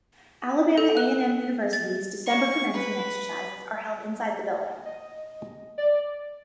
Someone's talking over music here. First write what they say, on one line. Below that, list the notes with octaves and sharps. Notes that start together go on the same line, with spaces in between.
Alabama A and M University's December Commencement Exercises are held inside the building.
A4
F#6
A6
C#6
B4
D#5
D5